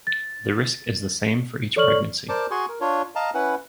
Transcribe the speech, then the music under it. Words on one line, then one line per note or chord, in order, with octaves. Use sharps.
The risk is the same for each pregnancy.
A6
A4 C#5 D5 C#6 F6 F#7
A#4 C5 D5 A5 D6
F#4 G#4 G#5 C6 C#6
A#4
D4 F4 C#5
D#5 F5 A5 A#5
C#4 E4 B4 F#5